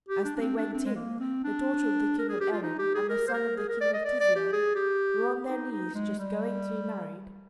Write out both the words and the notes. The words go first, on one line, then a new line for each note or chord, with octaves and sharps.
As they went in, the daughter of the king of Erin and the son of the king of Tisean were on their knees just going to be married.
G4
D4
D4
C4
D4
C4
G#3
A#3
C4
D4
A#4
G#4
G4
F4
D#4
G4
G#4
A#4
C5
A#4
G#4
A#4
D5
D#5
D5
D5
G4
G#4
G4
D#4
D#4
G#3
G3